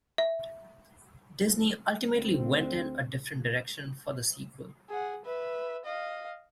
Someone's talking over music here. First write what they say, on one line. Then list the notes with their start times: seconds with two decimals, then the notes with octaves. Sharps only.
Disney ultimately went in a different direction for the sequel.
0.18 E5
2.13 D2 C4
4.90 G#4 F#5
5.25 B4 E5
5.85 D#5 F5